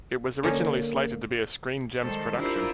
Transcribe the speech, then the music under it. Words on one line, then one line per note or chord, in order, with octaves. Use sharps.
It was originally slated to be a Screen Gems production.
D3 A#3 C#4 D#4
D#3 G3 G#3 A4 C5
D4 E4 F4 G4 A#4 C5